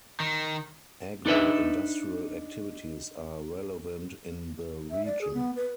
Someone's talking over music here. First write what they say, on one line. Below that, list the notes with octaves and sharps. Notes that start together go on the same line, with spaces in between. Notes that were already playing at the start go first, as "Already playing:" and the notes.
Agro-industrial activities are relevant in the region.
D#3
D4 D#4 B4 E5
E5
D5
G#4
B3
B4